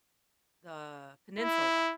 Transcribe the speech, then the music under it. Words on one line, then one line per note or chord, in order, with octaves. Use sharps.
the Peninsula
E4